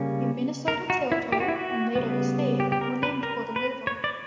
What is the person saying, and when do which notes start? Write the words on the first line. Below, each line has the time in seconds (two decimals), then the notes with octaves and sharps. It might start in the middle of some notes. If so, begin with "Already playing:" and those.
The Minnesota Territory, and later the state, were named for the river.
Already playing: C#3 G3 A#3 C#4
0.68 A#4
0.90 F#4
1.12 E4
1.32 G4
1.40 F#4
1.48 E4
1.56 F#4
1.95 C#3 G3 B3
2.60 G4
2.72 G4
2.81 A#4
3.03 B4
3.23 A#4
3.56 B4
3.87 C#5
4.04 D5